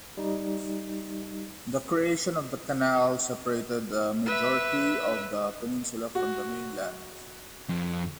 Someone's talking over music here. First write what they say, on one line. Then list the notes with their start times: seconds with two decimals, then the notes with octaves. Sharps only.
The creation of the canal separated the majority of the peninsula from the mainland.
0.17 G3 D#4
4.26 B4 E5
6.15 F#4
7.69 F2